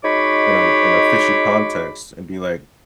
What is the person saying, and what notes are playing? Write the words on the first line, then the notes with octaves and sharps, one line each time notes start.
in a in a fishy context and be, like,
G#3 D#4 F#4 C#5 B5 D6